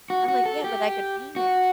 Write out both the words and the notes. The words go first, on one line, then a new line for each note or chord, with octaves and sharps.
I'm like, "Yeah, but I could paint it.
F#4
F#4
A4
G4
F#4